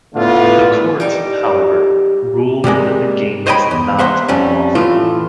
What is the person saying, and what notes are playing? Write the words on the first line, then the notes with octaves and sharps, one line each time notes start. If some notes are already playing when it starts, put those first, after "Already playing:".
The court, however, ruled that the game was "not" unlawful.
A2 D3 A3 B3 F4
G3 D#4 G4
C3 G3 G#3 A#3
C5 C#5 D#5 G5 G#5 B5
E2
A#3 C5 E5 F#5
F2 G3 C#4
A2 E3 A3 F4